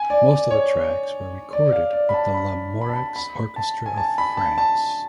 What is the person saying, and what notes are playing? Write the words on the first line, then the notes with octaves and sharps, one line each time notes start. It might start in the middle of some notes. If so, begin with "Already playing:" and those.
Most of the tracks were recorded with the Lamoureux Orchestra of France.
Already playing: G#5
D5
D5
C#5
D5
F5
D5
B5
A5
B5
B5
A5
B5
B5
A5
G#5
A5
B5
A5
A5